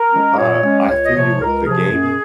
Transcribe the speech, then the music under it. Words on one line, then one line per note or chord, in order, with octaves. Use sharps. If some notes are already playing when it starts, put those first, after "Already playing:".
uh, I feel you with the gaming.
Already playing: A#4
G#3 C#4
A#2 C#5
G#3 C#4
C#2 C#5
D#5
C3 F3 C#5
C#2 A#4
C3 F3 G#4
F#2